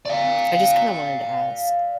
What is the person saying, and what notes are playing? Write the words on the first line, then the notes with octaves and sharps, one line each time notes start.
...I just kinda wanted to ask
D5 F5